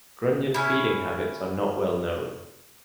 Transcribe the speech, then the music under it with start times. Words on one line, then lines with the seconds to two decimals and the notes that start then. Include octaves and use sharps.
Grunion feeding habits are not well known.
0.54 C#4 E4